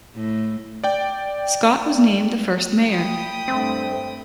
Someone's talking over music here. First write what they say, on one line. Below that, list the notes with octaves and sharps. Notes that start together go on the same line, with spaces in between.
Scott was named the first mayor.
A2
D5 G5
G5 B5 D#6
G2 A3 C4